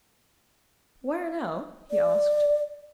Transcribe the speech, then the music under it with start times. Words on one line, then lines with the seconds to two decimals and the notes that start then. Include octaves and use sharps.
"Where now?" he asked.
1.91 D5